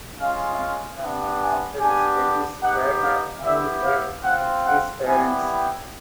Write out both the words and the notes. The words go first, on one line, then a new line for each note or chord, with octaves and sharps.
Due to his unemployment after his studies Wagner moved back in with his parents.
G#3 C#4 F4 F5
F5
B3 D4 G4
G#5
B3 D4 G4 G#5
B3 D#4 G4 F#5
F5
B3 E4 G4 E5
F5
C4 F4 F#5
F#5
G3 B3 E4 G4 G#5
G5